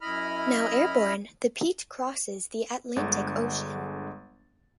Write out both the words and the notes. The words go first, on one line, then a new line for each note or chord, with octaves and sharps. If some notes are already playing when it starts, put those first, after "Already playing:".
Now airborne, the peach crosses the Atlantic Ocean.
F#2 E4 D#5 B5 F6
G1 D3 G#3 F#5 C#6 A6